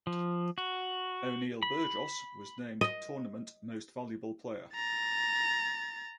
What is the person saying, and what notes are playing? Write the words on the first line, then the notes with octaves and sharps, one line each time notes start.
O’Neill Burgos was named Tournament Most Valuable Player.
F3
F#4
B5
D#5
A#5 A6